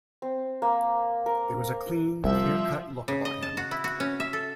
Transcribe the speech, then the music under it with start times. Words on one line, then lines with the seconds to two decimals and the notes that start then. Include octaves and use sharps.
There was a clean, clear-cut look about him.
0.22 C4
0.62 A#3
1.26 A#4
2.24 C2 F3 G3 E5
3.08 C#3
3.25 D#5
3.42 A5
3.57 F#4
3.71 E4
3.84 F#4
4.00 C#4
4.20 E5
4.33 A4